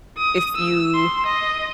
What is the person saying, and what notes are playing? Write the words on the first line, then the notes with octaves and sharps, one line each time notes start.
if you
D#6
E6
C6
D#5